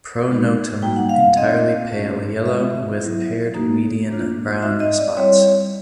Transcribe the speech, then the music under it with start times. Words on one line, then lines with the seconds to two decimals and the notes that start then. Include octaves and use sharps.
Pronotum entirely pale yellow with paired median brown spots.
0.29 G#3 B3 D#4 F#4
0.82 G3 A#3 D#4 F#4 G5
0.96 F#5
1.09 F5
1.37 A3 C4 D#4 D#5
1.91 A3 C#4 F#4
2.46 G#3 C4 F4 E5
3.00 F#3 B3 E4
3.54 A#3 D#4 F#4
4.09 A#3 D4 F4
4.62 G#3 C4 D#4 F#4 E5
4.80 D#5
4.98 D5
5.17 G3 C4 E4 C#5